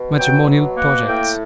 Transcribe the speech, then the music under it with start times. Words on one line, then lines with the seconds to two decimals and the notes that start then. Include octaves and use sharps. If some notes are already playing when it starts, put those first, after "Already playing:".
Matrimonial Projects.
Already playing: B2
0.18 F#3 G5
0.48 B2
0.76 A#3 F#5
1.06 A2 G5